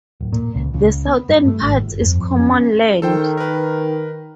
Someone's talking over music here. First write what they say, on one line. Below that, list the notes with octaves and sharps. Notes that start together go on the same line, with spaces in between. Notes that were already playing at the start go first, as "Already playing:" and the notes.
The southern part is common land.
D1
A#2
C#2
C#2
B3
G2
A3
G#1
G1
F2
F2
C#4
D#3 A4 C5 G5
A#4 B4